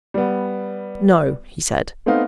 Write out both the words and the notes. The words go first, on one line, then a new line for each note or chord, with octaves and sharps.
"No," he said.
G3 B3
A3 B3 C4 D#4 F5